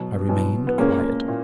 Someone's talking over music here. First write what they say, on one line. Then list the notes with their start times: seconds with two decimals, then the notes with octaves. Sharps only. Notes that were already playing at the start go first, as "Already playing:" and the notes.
I remained quiet.
Already playing: B2 F#3
0.29 B2 F#3
0.67 B3
0.78 A#2 G#3 A#3 C#4
1.28 A#2